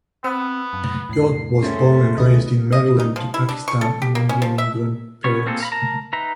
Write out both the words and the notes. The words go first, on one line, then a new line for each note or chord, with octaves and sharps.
Yodh was born and raised in Maryland to Pakistan and Indian immigrant parents.
B3 C4 F#5 E6
F#2
F2 A2 C7
C#3 A3 C#4 C5
C#2 B2 D#3 B4 D#5
D#5
D#4
F3
E4
D4
C#6
A4
G4
A#3
C#4
F3
E5
B3 C#4 C#5
A#3 C4 F4 G#4 A4
F5 A#5 B5
A#4 A5 A#5
D#4 B4 E5 A#5